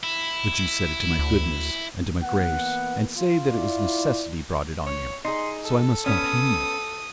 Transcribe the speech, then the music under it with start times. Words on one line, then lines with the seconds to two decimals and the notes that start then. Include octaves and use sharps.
But you set it to my goodness and to my grace, and say that it was necessity brought it on you, so I must not hang you.
0.03 E4
1.19 D2
2.23 E3 A#3 B3 F#5
3.18 F4
3.51 E4 D5
4.87 C#5
5.25 D#4 G#4 C6
5.65 A4
6.06 B3 C#4 D#6